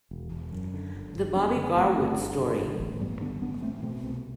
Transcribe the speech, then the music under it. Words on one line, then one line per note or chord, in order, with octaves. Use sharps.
The Bobby Garwood Story.
E1
E1
F#2
D3
G1
G1
F#2 B3 D4
D3
G1 A3 C4
G1
G2
D3
A1
A1
G2 G3 B3
D3 B3 D4
A1 B3 D4
A1 A3 C4
B2 A3 C4
C2 A3 C4